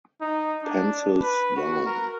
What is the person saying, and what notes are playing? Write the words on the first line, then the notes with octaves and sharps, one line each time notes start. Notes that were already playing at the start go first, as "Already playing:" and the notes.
Pencils down.
D#4
D4
B4
F#4
A#4